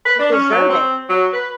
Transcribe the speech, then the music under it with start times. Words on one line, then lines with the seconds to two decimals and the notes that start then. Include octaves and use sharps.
you deserve it.
0.05 B4
0.19 D4
0.32 C#4
0.50 F#3
0.68 C4
1.09 F#3
1.32 B4